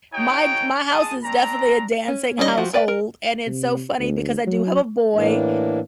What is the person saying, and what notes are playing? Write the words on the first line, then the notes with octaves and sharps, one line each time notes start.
my j my house is definitely a dancing household, and it's so funny because I do have a boy,
D#4 F#4 G#4 C#5 G5
G#3 A5 D#6
C4 D4 A#5
C#4
D#3 G3 C#4 E4 D#5
F3 F#4 G4
A#4 B4 D5 G5
A#4
C3
D2
F#3
A2 E3 A#3 D4